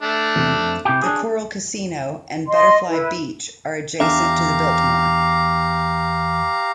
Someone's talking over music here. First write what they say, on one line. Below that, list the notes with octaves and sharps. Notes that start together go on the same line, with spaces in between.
The 'Coral Casino' and 'Butterfly Beach' are adjacent to the Biltmore.
A3 D4
E2 C3
F2
C3 E4 G4
D4 G#4
D#5 C6
E4 B4
E2 D4 G4 E5 F5 A#5